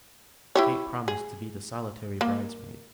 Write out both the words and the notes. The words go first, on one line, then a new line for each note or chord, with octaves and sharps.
Kate promised to be the solitary bridesmaid.
E4 G4 C#5
G#4
A#3